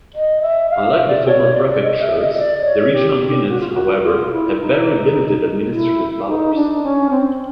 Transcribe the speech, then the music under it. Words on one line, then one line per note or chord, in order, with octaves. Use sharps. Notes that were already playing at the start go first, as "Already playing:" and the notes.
Unlike the former prefectures, the regional units however have very limited administrative powers.
D#5
E5
F5
E5
D5
C#5
D5
D#5
E5
D#5
D5
C#5
G4
F#4
F4
F#4
F4
E4
D#4
E4
D#4
D4
C#4
C4